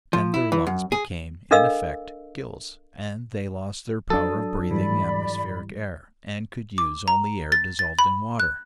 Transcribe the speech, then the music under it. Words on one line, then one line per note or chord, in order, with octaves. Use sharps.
Then their lungs became, in effect, gills, and they lost their power of breathing atmospheric air, and could use only air dissolved in water.
F3
E4
E3
F#2
G#4
D4 A4 A#4 D#5 F5 E6
F#3 D4 A4 D#6
G#2 E3 G3 D5 B5
D6
A#5
A6
A6
B5
F#6